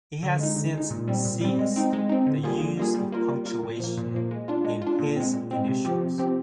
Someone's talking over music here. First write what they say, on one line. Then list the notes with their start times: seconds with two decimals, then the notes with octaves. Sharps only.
He has since ceased the use of punctuation in his initials.
0.23 D3
0.39 G#3 D#4
0.56 D3
0.74 G#3 D#4
0.91 A#2
1.08 G3 C4
1.25 A#2
1.41 G3 C4
1.59 G#3
1.76 C4 D#4
1.93 G#3
2.09 C4 D#4
2.27 D3
2.43 G3 A#3 F4 G#4
2.60 D3
2.77 G3 A#3 F4 G#4
2.95 G3
3.12 A#3 F4 A#4
3.28 G3
3.45 A#3 F4 A#4
3.63 A#2
3.80 F3 A#3
3.97 A#2
4.14 F3 A#3
4.31 G#3
4.48 D4 F4
4.65 G#3
4.82 D4 F4
4.99 A#2
5.16 G#3 C4
5.34 A#2
5.51 G#3 C4
5.68 C3
5.85 F3 C4 G4
6.01 C3
6.18 F3 C4 G4